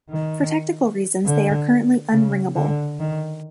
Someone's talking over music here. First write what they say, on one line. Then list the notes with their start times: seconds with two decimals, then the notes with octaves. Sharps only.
For technical reasons they are currently unringable.
0.10 D#3
1.26 D3
2.12 C#3
2.56 D3
3.00 D#3